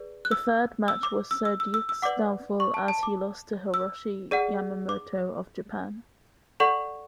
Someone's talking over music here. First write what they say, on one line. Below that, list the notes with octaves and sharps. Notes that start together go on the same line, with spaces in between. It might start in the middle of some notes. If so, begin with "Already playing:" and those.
The third match was Serdyuk's downfall, as he lost to Hiroshi Yamamoto of Japan.
Already playing: G#4 B4 D5
F#6
E6
E6
D6
E6
E6
E6
E6
E6
B4 D5 F#5 D6
C#6
A5
A5
D6
E6
G#4 D5 F#5
D6
A4 D5 F#5 C#6